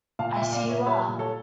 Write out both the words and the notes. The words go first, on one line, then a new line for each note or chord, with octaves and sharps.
I see you are.
A#2 F5 A5
E5 G5
A#2
D5 F5
A#2
C#5 E5
G3 C#5 E5
A#2
A4 C#5